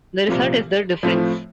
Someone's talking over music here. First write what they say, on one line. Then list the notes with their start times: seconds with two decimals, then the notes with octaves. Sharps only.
The result is the "difference".
0.27 C2 A#2 F3 C4
1.03 A2 F3 A3 C4 F4